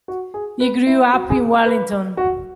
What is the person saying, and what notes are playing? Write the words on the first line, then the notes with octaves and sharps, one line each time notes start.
He grew up in Wellington.
F#4
G#4
B4
E4
F#4
G#4
B4
F#4